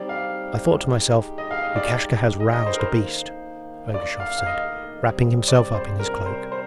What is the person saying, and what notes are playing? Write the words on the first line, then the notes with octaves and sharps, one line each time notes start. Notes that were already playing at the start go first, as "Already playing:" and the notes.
I thought to myself: "Lukashka has roused a beast,"' Ergushov said, wrapping himself up in his cloak.
Already playing: G3 C4 D#4 G4 D5
F5
G#3 D#4 G4
D#5
F5
D#5
D5
D#5
D#5
C5
A#4
C5
D#3 A#3 D#4
D5
F5
F5
D#5
C3 G3 C4
D5
C5
A#4
C5
C5